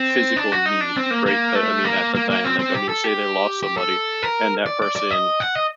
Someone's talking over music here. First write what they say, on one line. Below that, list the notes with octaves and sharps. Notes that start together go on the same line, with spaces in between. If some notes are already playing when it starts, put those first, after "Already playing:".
physical need, right? I I mean, at the time, like, I mean, say they lost somebody and that person,
Already playing: C4
D4
F#4
D#4
D4
C4
A#3
A#3
A3
A#3
A#3
A#3
C4
C4
G4
A4
G4
G4
A4
A#4
D5
D5
D5
D#5
F#5
D#5